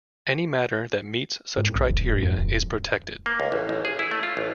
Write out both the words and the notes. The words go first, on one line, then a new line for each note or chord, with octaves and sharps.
Any matter that meets such criteria is protected.
G#2
B1
E1
G#2
F2
D1
A#3
C#2
A1
A1
G#4
E4
A3
F4
A1